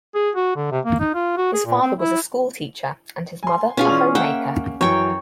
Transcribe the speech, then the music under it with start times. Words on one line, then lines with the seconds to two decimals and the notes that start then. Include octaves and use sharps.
His father was a school teacher and his mother a homemaker.
0.15 G#4
0.36 F#4
0.56 D3
0.72 C3
0.85 A#3
0.99 D#4
1.14 F4
1.37 F#4
1.54 G#4
1.66 A#2
1.81 C4
1.99 E4
3.43 G#5 C6
3.77 B2 C#4 F4 G#4
3.89 E3 D5 F7
4.15 A#3 E5 F#5 G5
4.81 F#2 E3 F#3 C#5 G5